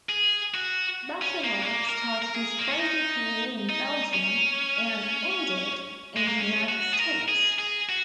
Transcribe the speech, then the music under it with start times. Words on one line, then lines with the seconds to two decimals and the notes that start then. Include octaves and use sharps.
Bachelart started his racing career in Belgium and ended in the United States.
0.09 G#4
0.54 F#4
1.22 C#4
1.44 A#3
1.62 C#4
1.66 A#3
1.89 A#4
2.22 A#4
2.34 G#4
2.59 A#3
2.69 C#4
2.79 D#4
3.69 D#4
4.14 C#4
6.17 G#3
6.28 A#3
6.38 C#4
6.69 F#4
6.92 G#4
6.99 A#4
7.28 G#4
7.59 G#4
7.89 F#4